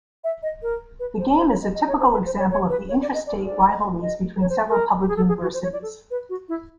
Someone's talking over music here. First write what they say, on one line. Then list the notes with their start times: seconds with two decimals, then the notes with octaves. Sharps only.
The game is a typical example of the intrastate rivalries between several public universities.
0.24 E5
0.43 D#5
0.62 A#4
1.00 B4
1.19 C5
1.37 C5
1.50 C#5
1.63 D#5
1.75 D#5
1.88 C#5
2.00 C5
2.13 B4
2.26 C5
2.39 C#5
2.51 C#5
2.70 B4
2.89 C#5
3.02 D5
3.14 D#5
3.27 D5
3.45 D5
4.02 D#5
4.41 C#5
4.50 C5
4.69 A#4
5.00 G4
5.08 G#4
5.17 A4
5.28 G#4
5.42 F#4
5.54 C5
5.63 C#5
5.73 D5
5.82 A4
6.11 B4
6.30 F#4
6.49 E4